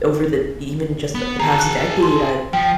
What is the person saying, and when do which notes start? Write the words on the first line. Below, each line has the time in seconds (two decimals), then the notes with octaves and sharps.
over the even just the the past decade, I've
1.15 B3
1.40 G#4 A5 A#5
1.59 F#6
2.03 C6
2.53 F3 G5